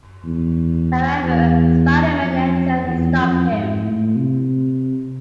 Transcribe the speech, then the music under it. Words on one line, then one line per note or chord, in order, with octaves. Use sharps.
However, Spider-Man enters and stops him.
E2
E2
F2
E2
F2
G#2
A2
C3